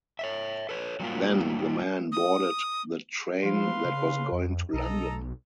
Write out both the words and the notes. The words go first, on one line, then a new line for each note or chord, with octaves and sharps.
Then, the man boarded the train that was going to London.
C#5 D#5 E5
A4 B4 C#5
F#3 G3 A#3 F4
D#6
F3 B4 F5 C6
C#3
F2
B1 A4 D#5 A#5